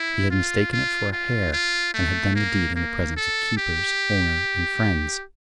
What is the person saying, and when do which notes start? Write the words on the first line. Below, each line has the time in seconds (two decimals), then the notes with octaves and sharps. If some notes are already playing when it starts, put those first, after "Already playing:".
He had mistaken it for a hare, and had done the deed in the presence of keepers, owner, and friends.
Already playing: E4
0.31 F4
0.72 F4
1.13 F4
1.53 F4
1.94 A3
2.35 A#3
2.76 A#3
3.17 A4
3.57 G4